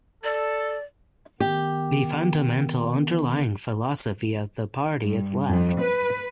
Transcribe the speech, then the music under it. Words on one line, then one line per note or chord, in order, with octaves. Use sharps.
The fundamental underlying philosophy of the party is Left.
A4 D5
D#3 B3 G4
G2
F2
B4